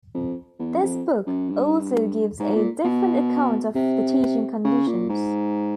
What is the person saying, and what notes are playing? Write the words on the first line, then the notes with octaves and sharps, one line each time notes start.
This book also gives a different account of the teaching conditions.
F2
E2
F#2
F2
F#2
G2
G#2
A#2
B2
C3
C#3
A#2
G#2